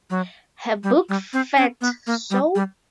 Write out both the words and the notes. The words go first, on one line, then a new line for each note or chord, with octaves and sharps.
Her book Fat!So?
F#3
G3
G3
C4
C#4
B3
A#3
G3
G3